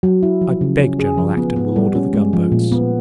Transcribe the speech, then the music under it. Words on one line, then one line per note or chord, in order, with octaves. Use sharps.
I beg General Acton will order the gun-boats.
F#3
E4
F3
C#3
C#4
G#4
F3
B3
B3
G3
C#4
G#3
F3
A#2
B3